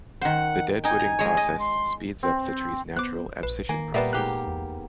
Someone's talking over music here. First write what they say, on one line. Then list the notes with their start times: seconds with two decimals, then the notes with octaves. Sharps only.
The deadwooding process speeds up the tree's natural abscission process.
0.21 D#3 C5 F#5
0.84 D#4 G5 G#5
0.99 A#5
1.19 G#3 C#5
1.37 D#5
1.59 C6
2.23 C4
2.97 B3 C5 D6 F#6
3.43 A#1 B4
3.69 D#3 A#3 G#5
3.94 A#2 G3 A#3 B3 B4 D5 E5
4.13 G#2 G4 F5 F#6
4.47 E2